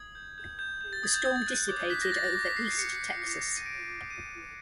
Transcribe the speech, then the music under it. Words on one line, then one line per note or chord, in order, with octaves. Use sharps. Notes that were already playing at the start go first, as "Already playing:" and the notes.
The storm dissipated over east Texas.
Already playing: D#6 G#6
G6
G6
G6
G6
A6
D#6 G#6
G6
D#6 G#6
A6
F#6
D6
F#6 B6
A#6
D6 A6
A#6
D6 A#6
B6
F#6 C7
C7
F#6 C#7
D6
D6 C#7
D6
D#7
D6 D7
D6
G6 D#7
D6